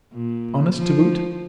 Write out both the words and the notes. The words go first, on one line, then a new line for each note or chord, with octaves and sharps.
Honest, to boot.
A#2
F3